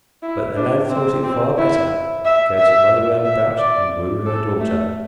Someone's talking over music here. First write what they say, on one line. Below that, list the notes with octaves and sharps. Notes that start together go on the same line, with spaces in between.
But the lad thought it far better to go to Mother Roundabout and woo her daughter.
E4
D4
C4
C4
E4
E5
E5
E5
D5
A4
A3